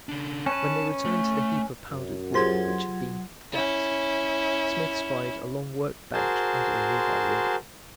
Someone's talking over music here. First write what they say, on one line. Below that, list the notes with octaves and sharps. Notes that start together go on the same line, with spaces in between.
When they returned to the heap of powdered wood which had been the desk, Smith spied a long work-bench under a nearby window.
C#3 D4
C#4 B4 A5
A3
F#2
F#3 F4 G4 G#4 C5 F#5 C6 G#6
C#4 E4
F#4 G#4 A#4 C5 A5 C6